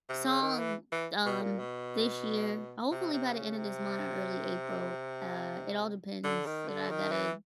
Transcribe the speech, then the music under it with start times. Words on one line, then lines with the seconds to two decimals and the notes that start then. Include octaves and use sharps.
song, um, this year, hopefully, by the end of this month or early April, uh, it all depends that I gotta
0.09 C3
0.26 C#3
0.42 D#3
0.59 E3
0.92 E3
1.26 B2
1.42 A#2
1.59 B2
2.91 C3
3.14 C3
3.36 C#3
3.58 C3
6.24 D3
6.46 D#3
6.68 D3
6.90 D#3
7.12 E3